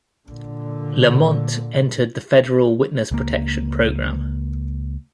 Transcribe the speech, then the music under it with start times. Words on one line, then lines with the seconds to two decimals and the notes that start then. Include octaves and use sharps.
Lamonte entered the federal witness protection program.
0.26 A#2 D3
3.11 C#2 A#3